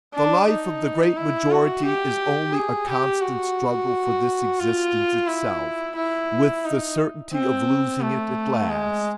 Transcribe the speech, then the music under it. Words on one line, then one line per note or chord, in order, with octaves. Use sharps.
The life of the great majority is only a constant struggle for this existence itself, with the certainty of losing it at last.
D4
D#4
E4
F#4
G4
G#4
G4
F#4
F4
E4
E4
D#4
C4
A3
G#3